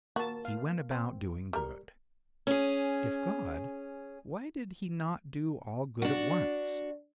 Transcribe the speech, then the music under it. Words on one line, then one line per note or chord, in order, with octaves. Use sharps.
He went about doing good: if God, why did he not do all good at once?
A#3 F#4 A5
F5
C4
G3 A#4
C#4 G#4
D4 F#4